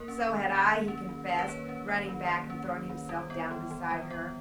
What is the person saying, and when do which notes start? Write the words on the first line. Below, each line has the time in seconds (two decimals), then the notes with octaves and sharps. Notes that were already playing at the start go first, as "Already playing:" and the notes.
"So had I," he confessed, running back and throwing himself down beside her.
Already playing: A#3 A#4
0.08 C#4
0.28 D#3
0.47 D#3
0.69 A#3
0.88 C#4
1.09 D#3
1.28 D#3
1.39 B4
1.48 A#3 C#5
1.69 C#4
1.88 D#3
2.09 D#3
2.29 A#3
2.50 C#4
2.69 D#3
2.89 D#3
3.09 G3
3.30 B3
3.50 E3
3.71 E3
3.90 G3
4.10 B3